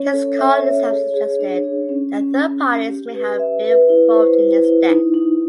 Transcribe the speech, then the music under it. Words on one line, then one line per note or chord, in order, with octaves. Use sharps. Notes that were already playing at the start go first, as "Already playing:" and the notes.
His colleagues have suggested that third parties may have been involved in his death.
Already playing: C#4 C#5
A4
E5
C#5
G#4
G#4
D4
G#4
C#4
C#4
C#4
C#4
G4
B4
E5
B4
E4
C5
E4
E4
D#4
D#4